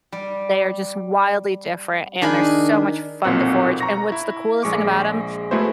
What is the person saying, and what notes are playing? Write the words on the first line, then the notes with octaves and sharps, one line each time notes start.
They are just wildly different, and they're so much fun to forage, and what's the coolest thing about 'em
G3
D#3 D4 G#4 G#5 B5
B1 F2 A#2 C4 F#5
A#5 C#6 A#6
E4
A#1 G#3 C#6 D6
G#3 A3 B3 E4 F#4 C5